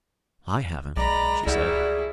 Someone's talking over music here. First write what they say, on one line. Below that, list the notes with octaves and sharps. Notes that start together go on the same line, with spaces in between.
"I haven't," she said.
B1 G#3 D5 A#5 B5
C#2 G3 E4 F#4 G#4